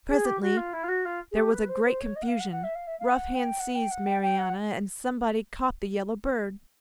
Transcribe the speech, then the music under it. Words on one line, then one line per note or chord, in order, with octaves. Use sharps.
Presently there was a great confusion, rough hands seized Marianna, and somebody caught the yellow bird.
G#4
G4
F#4
F4
E4
F4
F#4
F4
G#4
G4
B4
C5
C5
C#5
D#5
F#5
F5
F#5
F#5
E5
F5
E5
F5
F#5
G5
F#5
G5
F#5
G5
G5
F#5